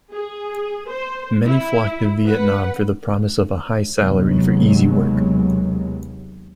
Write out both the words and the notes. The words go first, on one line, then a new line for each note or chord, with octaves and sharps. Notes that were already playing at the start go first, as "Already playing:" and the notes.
Many flock to Vietnam for the promise of a high salary for easy work.
G#4
C5
E4
B4 F#5
D#2 C3 F#3 G#3 B3